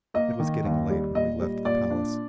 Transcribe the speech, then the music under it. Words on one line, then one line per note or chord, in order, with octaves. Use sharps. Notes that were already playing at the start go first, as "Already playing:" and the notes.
It was getting late when we left the Palace.
A#3 D#5
D#3
D#2
G3
A#2 D#5
G3
A#2 D5
D4